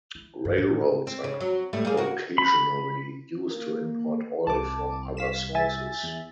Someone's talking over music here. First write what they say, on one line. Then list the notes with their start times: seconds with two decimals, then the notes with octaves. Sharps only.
Railroads are occasionally used to import oil from other sources.
0.15 E4
0.45 G2
0.58 A2
1.07 C4
1.24 C#3
1.40 F#3
1.73 A2 G3 A3
1.85 G3 A#3 G#4
1.97 A#3 F#4
2.38 B5
3.50 A#3
4.47 C2 A5 D6
5.17 F5 B6 E7
5.55 E5 G#5 A6
6.03 E2